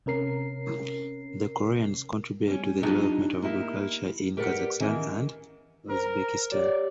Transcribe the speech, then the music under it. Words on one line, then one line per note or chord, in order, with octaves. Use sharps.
The Koreans contributed to the development of agriculture in Kazakhstan and Uzbekistan.
C3 C#4 A#4 C7
G3 C#4
F#3 G3 D4 D#4 F4 G4
A#3 D#4 E4 G4
G4 A#4 B4 D5 F#5
D#3 E3 C#4 A#4
A#4 C5
G4 C#5 D5